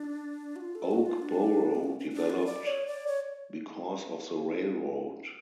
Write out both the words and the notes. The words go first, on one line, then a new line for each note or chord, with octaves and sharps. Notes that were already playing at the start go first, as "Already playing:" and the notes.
Oakboro developed because of the railroad.
Already playing: D4
F#4
F4
A4
F#4
F4
D4
B3
C#4
C#4
C#4
D4
F4
D5
C#5
D5
C#5